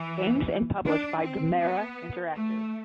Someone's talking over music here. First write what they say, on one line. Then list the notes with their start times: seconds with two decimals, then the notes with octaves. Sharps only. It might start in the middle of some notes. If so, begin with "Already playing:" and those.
Games and published by Gamera Interactive.
Already playing: E3
0.85 D4
1.22 C4
1.59 B3
2.33 A3